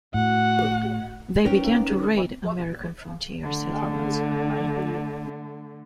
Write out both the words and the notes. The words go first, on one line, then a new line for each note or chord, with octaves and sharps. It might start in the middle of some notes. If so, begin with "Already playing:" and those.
They began to raid American frontier settlements.
A2 F#4 F#5
C#4 D#4 A#4 B4 G5
D3 A3